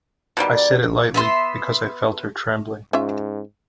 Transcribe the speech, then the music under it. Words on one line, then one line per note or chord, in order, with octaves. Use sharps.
I said it lightly, because I felt her trembling.
B2 D#3 G3
D5
B3 E5 C6
G#2 C#4 F4 E5